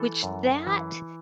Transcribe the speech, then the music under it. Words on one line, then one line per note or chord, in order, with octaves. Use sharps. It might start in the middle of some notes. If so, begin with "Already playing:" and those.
which that
Already playing: E3 A4
F#2
E3